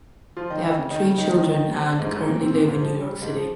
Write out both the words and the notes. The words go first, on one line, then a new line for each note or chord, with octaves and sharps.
They have three children and currently live in New York City.
F3 F4
D#3 D#4
D#3 D#4
C#3 C#4
D#3 D#4
C#3 C#4
D#3 D#4
D#3 D#4
D#3 D#4
C3 C4
G#2 G#3
G#2 G#3
A#2 A#3
C3 C4
A#2 A#3
G#2 G#3
F3
G3
G3
G#2 G#3
F3